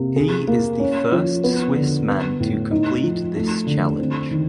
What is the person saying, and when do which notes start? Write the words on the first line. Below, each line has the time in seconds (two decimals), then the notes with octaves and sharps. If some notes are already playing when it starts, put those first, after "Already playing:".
He is the first swiss man to complete this challenge.
Already playing: C3 A#3
0.16 G#4
0.48 A#3
0.80 C#4
1.12 F3
1.44 B3
1.76 D3
2.07 B3
2.40 A2
2.71 D#4
3.03 F3
3.36 A3
3.67 D3
3.99 C4
4.31 D#3